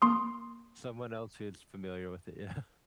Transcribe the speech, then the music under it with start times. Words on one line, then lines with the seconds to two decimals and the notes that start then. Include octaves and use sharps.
Someone else who's familiar with it. yeah.
0.02 A#3 C6 D#6